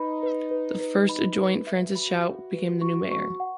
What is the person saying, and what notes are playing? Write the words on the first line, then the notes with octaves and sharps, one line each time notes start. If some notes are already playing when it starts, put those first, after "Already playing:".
The first adjoint, Francis Chouat, became the new mayor.
Already playing: D#4 B4 B5
B4
B4
B4
B5
B4
E5
F#4 B5
E5
B4
C#6
C#6
F#5